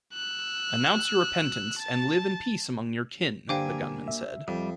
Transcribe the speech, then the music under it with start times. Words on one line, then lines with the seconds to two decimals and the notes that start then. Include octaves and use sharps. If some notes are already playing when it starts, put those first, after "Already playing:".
Announce your repentance and live in peace among your kin, the gunman said.
0.14 E6 F#6
1.79 A5 A6
3.49 G2 D3 A#3 C5 F5 G5 G#5 D6
4.08 E5
4.48 F2 G3